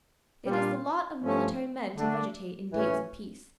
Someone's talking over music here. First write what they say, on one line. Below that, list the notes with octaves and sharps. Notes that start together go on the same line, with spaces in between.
It is the lot of military men to vegetate in days of peace.
A#2 G3 D4 F4
G2 F3 A3 C#4
D3 A3 D4
A2 E3 A3 C#4